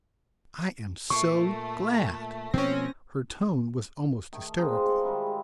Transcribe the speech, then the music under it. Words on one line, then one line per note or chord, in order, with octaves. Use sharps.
"I am so glad!" Her tone was almost hysterical.
A#2 A3 C#6
B2 F3 A#3 C4 C#4 A#6
D#3 A3
G#3 C4 D#4 F4
F4 G#4 C5
A4
D#3 G3 G#3 E4
G#3